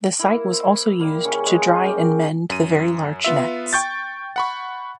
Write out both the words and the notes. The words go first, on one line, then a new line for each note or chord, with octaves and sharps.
The site was also used to dry and mend the very large nets.
A#3 E4
C5
G3 A#3 B5
C#3 C#4
G#3
A#3 G4
F#2 D#7
B3 F4 E5
G5 C#6 G6 A6
F#5 B5 C#6